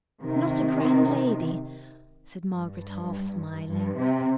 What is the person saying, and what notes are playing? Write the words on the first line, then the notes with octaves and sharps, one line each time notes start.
'Not a grand lady,' said Margaret, half smiling.
C3 D#3
G2
G2
C3